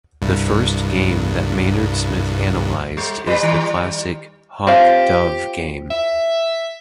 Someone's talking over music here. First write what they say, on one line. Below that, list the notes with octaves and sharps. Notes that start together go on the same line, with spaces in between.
The first game that Maynard Smith analysed is the classic Hawk Dove game.
C2 G2
G3
A#2 G3 B4
D#3 G3
C4 F4 G4 F5
E5